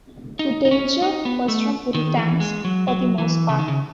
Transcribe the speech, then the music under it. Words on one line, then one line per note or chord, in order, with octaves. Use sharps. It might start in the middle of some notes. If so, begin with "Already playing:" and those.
The danger was from Puritans, for the most part.
D#4
D#4
C#4
D#4
B3
A3
D#3
E3
G#3
F#3
F#3
E3
C#3
D#3
C#3